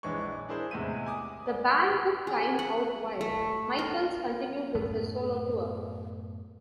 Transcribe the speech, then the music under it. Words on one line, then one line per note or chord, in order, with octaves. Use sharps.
The band took time out while Michaels continued with his solo tour.
A#1 E3 G#3 D4 C#5 C#6
D4 E4 G#4 A#4 C5
E2 A2 C3 G#3 E5 D#7
G#5 D6 D#6
D5
G#4
F#5
A3
A#4
F#2 A2 A3 B3